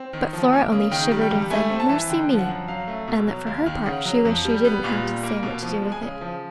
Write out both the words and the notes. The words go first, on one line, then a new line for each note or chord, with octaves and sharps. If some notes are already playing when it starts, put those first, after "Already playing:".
But Flora only shivered and said "Mercy me!" and that, for her part, she wished she didn't have to say what to do with it.
Already playing: C4
D#3
F3
A#3
C#3
D#3 G5
G3
G5
G2
A3 G#5
C4
A5
E3
D3 G5
F3
F#5
F#2
F#3 F5
A3
B2
F#3
D#2
D#3
C#3 F#5
F#3
F2
G3
B3
A#2
G3
A#3
B2
F3
G#3
G#5
C#3
F3